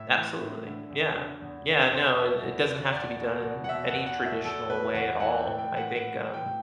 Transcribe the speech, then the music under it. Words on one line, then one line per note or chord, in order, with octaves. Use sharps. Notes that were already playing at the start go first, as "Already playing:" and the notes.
Absolutely. Yeah, yeah, no, and it it doesn't have to be done in any traditional way at all, I think, um,
Already playing: A2 E5
E3
A2
D3
E2
D3
E2
D3
E2 C5
B2 E5
E2
B2
E2 D5
B2
E2
F#5
B2 E5
F#5
E2
F#5
B2
E5
E2 A4
B2 B4
E2 F#5
E3 F#5
G5
A2
G5
E3
F#5
A2 F#5
E3
G5
A2